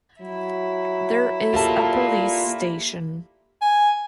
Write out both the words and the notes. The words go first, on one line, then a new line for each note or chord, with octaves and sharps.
There is a Police Station.
F#3 E4
A#3 F4 G4 A4 A5
G#5